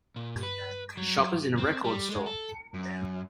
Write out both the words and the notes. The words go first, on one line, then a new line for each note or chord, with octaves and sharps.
Shoppers in a record store.
A#2
B4
F#3
C4
G3
G#3
A4
F#2